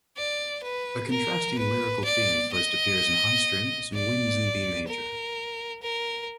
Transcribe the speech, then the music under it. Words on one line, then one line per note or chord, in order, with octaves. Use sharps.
A contrasting lyrical theme first appears in high strings and winds in B major.
D5
B4
A#4
B4
D5
D#5
D5
A#4
A#4